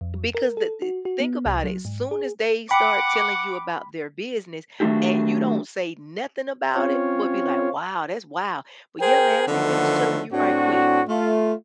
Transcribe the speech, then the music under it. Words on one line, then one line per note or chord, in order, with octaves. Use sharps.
Because the the think about it, as soon as they start telling you about their business and you don't say nothing about it, but be like, "Wow, that's wow." But, "Yeah, man, let me finish telling you right quick."
F2
A#4
A4
F#4
F#4
B3
C2
F#3
G#2
G#4
F#5 G5 B5 D6
D#3 F#3 A3 D4 E4 G4
C4 C#4 F4 C#5
G#4 A#4 C5 G5
D3 D#3 F3 F#3 A3 B3
A2 C4 D4 F#4
A3 F4